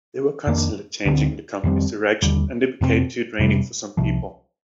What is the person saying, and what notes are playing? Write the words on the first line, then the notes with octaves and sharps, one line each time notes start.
They were constantly changing the company's direction, and it became too draining for some people.
F2 D#3 A#3 D4
D2 D3 G3 C4
F2 D#3 G3 C4
D#2 D3 G3
F2 C3 G3 C4
F2 C3 G3
C2 C3 F3